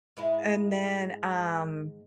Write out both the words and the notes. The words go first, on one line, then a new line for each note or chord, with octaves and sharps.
And then, um,
G#2 G#3 E4